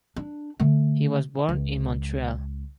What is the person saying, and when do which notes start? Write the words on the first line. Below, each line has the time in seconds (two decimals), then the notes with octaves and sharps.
He was born in Montreal.
0.16 D4
0.60 D3 A3
1.49 C#2